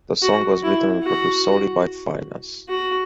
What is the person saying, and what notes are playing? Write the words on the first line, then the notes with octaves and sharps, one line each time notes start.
The song was written and produced solely by Finneas.
F#4
E4
F#4
F#4